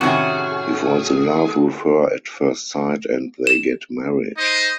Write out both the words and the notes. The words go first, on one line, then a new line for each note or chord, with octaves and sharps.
He falls in love with her at first sight and they get married.
A2 C3 D#3 C#4 E4 F#4 G#4
E7
D#4 C5 D#5